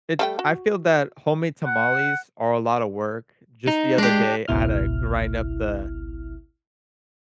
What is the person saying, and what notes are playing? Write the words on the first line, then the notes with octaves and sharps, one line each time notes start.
it I feel that homemade tamales are a lotta work. Just the other day, I had to grind up the
G3 A3 G5
F#4
F#5
D#4
G#3 D4 G4
G#1 C#2 B2 E4 F6